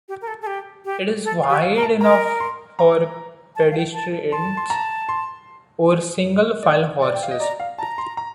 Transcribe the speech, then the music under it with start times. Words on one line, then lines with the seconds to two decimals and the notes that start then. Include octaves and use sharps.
It is wide enough for pedestrians or single file horses.
0.09 G4
0.22 A#4
0.28 A4
0.42 A4
0.47 G4
0.85 G4
1.24 A4
1.43 F5
1.49 G4
1.63 F5
1.76 A#4
1.82 A5
2.01 A#4 A#5
2.40 C6
2.79 A#5
3.56 A5
3.63 G5
3.71 F5
3.78 G5
3.94 A5
4.32 A5 C6
4.57 C6
4.70 A#5
5.09 C6
6.63 D5
7.02 D5
7.15 G5
7.23 F5
7.31 D#5
7.40 D5 A#5
7.60 F5
7.78 A5 A#5
7.98 C6
8.17 A#5